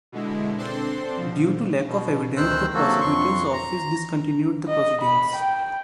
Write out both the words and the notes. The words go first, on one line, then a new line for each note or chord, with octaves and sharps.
Due to lack of evidence, the Prosecutor's Office discontinued the proceedings.
B2 D3 G#3 E4
C4 D4 A4 C5 C6
B2 F3
B2
D2 D#3 C5 E6 F#6
C3 F#3 A#3 F#4 A4
F2 C6 C#6
A#5
D#5
B5
G5